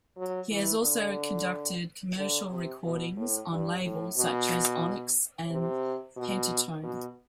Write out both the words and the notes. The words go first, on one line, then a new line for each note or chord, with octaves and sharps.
He has also conducted commercial recordings on labels such as Onyx and Pentatone.
F#3
E3
D3
D3
C3
B2
A2
G2
A2
B2
C3
B2
B2